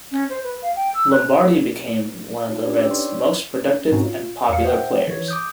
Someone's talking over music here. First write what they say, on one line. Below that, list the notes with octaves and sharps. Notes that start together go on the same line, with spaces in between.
Lombardi became one of the Reds' most productive and popular players.
C#4
C5
B4
F5
G5
E6
F#6
D#4 F4
C#4 D4 G4 B4 D5
G5 D6 E6
D#4 C#5 D5 C6 C#6
G#2 B2 C4 C#4 D#4 F#4
F4
E2 F5 C#7
C5 E5 F#5 G5
E3 C#5
D6 D#6 G6